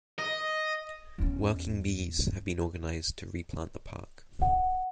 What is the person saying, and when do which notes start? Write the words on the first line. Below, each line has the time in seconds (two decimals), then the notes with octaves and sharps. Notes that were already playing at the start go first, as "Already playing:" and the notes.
Working bees have been organised to replant the park.
0.18 D#5
1.18 E2 C#4
4.42 F#5